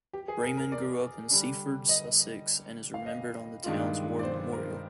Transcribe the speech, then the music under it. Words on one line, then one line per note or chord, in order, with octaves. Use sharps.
Raymond grew up in Seaford, Sussex, and is remembered on the town's war memorial.
G4
G#4
A#4
A#4
D5
D3 G3 D4
D#5
F5
D#5
G2 D#3 G#3 D4 F4
D5
C5
A#4